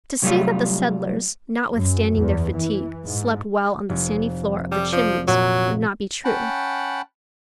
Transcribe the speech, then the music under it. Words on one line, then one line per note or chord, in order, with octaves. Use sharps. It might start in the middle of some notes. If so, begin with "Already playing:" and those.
To say that the settlers, notwithstanding their fatigue, slept well on the sandy floor of the Chimneys would not be true.
C3 F#3 G3 A3 F4
F#2
E2
E3
G#2
F1
G3 A4 D5
F3
A#2 F#3
C#4 F#5 G5 A5 B5